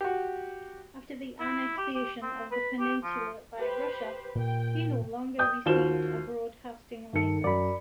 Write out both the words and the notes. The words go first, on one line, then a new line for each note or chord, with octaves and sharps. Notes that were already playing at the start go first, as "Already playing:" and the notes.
After the annexation of the peninsula by Russia, he no longer received a broadcasting license.
F#4 G4
E4
G4
G4
C4
B4
G4
F3
G4 B4 C5
A#2 G5
G5 D#6 G6
D#2 F4 F#4 C5 E7 G7
G2 D#3 A4 C#7
F#2 D5 B5